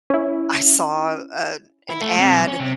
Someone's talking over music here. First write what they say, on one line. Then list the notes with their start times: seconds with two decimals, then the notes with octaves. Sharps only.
I saw, uh, an ad
0.10 C#4 E4
1.90 E4
2.01 A3
2.19 C3
2.31 B1
2.48 C#4
2.60 C3